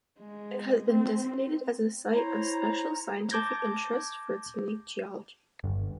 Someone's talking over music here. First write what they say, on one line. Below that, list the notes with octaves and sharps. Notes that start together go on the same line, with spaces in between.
It has been designated a Site of Special Scientific Interest for its unique geology.
G#3
C4
C4 E4 C5 C#5 A#5
A5 D6 G6 G#6 A#6
G1 G2